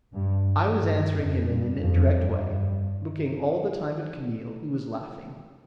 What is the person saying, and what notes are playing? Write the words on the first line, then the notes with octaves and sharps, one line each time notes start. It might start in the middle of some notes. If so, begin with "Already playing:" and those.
I was answering him in an indirect way, looking all the time at Camille, who was laughing.
G2
G2
F2
G2
F2
G2
G2